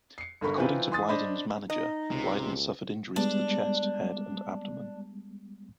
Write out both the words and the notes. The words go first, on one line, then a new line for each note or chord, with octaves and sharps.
According to Blyden's manager, Blyden suffered injuries to the chest, head and abdomen.
C7 C#7
G1 D3 A#4 B5 C#6
E3 C4 D#4 F4 B4
E3 C6 D#6 A6
D4 C5 D#5 B5
D#4 D#5
C#2 C3
G3 G#3 B3 D4